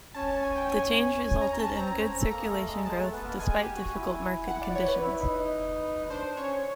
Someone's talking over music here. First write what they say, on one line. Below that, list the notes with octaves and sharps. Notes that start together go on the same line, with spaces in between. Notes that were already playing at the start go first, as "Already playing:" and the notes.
The change resulted in good circulation growth, despite difficult market conditions.
C#4 C#5 A5
A5
G#5
G5
G#5
C#4 C#5 G#5
A#5
C#4 C#5
A5
C4 C5 A#5
C#4 C#5
C5
C#4 C#5
A4
A#3 A#4 A#5
G#4
A3 A4
G#3 G#4
G#3 G#4 A5
A3 A4
B3 B4
A#3 A#4
G#3 G#4 G#5
G4
F#4
E4
F#5
D5
C#5
B4
E4
D#4
D#4
D4 C5
C#4 C#5